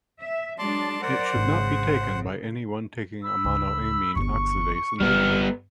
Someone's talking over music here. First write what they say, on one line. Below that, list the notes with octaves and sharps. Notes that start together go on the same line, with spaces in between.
It should not be taken by anyone taking a monoamine oxidase inhibitor.
E5
F#3 G#3 D4 D5 A5 C6
A#4 C5 D5 F#5
G#1 G#2 C#3 D4
B5 E6
C#2
G1 E2 C#6
G1 E3 G3 B3 C4 F6